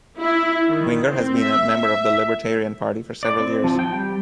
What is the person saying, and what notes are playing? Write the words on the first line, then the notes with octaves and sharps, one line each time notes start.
Winger has been a member of the Libertarian Party for several years.
E4
D#3
C4
E5
E5
D5
C4
F3
G5
G3